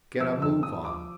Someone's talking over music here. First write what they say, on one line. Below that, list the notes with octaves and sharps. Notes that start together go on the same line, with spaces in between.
"Get a move on!"...
F3 E6
F2 E6
F3 D#6
F3 D6